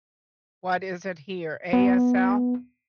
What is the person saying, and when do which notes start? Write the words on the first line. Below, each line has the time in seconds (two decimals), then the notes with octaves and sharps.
What is it here? ASL?
1.73 B3